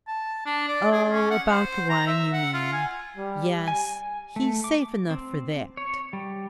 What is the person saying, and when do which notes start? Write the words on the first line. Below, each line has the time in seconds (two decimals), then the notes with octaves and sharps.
'Oh, about the wine you mean--yes, he's safe enough for that.
0.07 A5
0.46 D4
0.68 D5
0.92 G#4
1.09 C#4
1.30 F#5
1.49 C5
1.89 A#5
2.07 E5
2.33 F#5
2.54 F4
2.73 G#5
3.17 G3
3.68 G#5
4.36 A3
4.64 D6
5.11 C4
5.77 C#5
6.13 G3